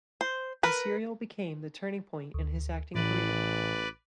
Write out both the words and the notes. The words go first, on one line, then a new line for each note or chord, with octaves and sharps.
The serial became the turning point in his acting career.
C5
A#4 B4
D2
A1 A2 E3 B4 D5